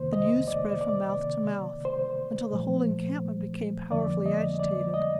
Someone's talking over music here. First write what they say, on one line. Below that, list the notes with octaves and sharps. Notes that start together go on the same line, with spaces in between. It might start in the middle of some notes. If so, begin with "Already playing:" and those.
The news spread from mouth to mouth, until the whole encampment became powerfully agitated.
Already playing: F2 C3 D#3 A#3 C5
D#5
D5
D5
C3 D#3 A#3
C5
A#2 F3 A3
F2 D3 F3 A#3 D5
D#5
D5
D#5